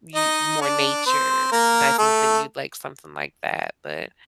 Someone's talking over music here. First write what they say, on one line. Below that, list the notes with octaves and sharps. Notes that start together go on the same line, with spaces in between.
y more nature that I think that you'd like something like that, but
D#4 D#5
D4 D5
C4 C5
A#3 A#4
A3 A4